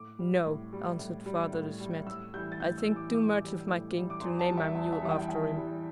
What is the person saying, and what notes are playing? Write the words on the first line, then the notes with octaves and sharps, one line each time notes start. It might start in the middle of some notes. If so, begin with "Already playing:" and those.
"No," answered Father De Smet, "I think too much of my King to name my mule after him."
Already playing: A2 D6
G3
A2
G3
A2
G3
A2
G3
A2 E6
E3 G3 G6
A6
A2 G6
E6
E3 G3
D6
A2 D6
E3 G3
A2
E3 G3
D6
E2 C6
A5
E3 G3
E5
E2 E5
E5
E3 G3
G5
E2 G5
E3 G3